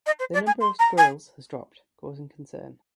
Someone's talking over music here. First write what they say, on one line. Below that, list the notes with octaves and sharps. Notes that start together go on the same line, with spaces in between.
The number of squirrels has dropped causing concern.
D#5
C5
D5
G#5
C6
A#5
G#5